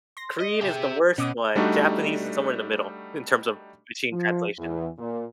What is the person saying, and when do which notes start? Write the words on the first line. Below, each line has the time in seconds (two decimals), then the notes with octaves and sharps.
Korean is the worst one. Japanese is somewhere in the middle, in terms of machine translation.
0.17 C6 A#6
0.41 D#5
0.61 G4 G#4 E5
1.18 B2 C#4 D6 D#6
1.56 G3 A3 D4 D#4 F#4
4.13 F3
4.58 E2
4.98 A#2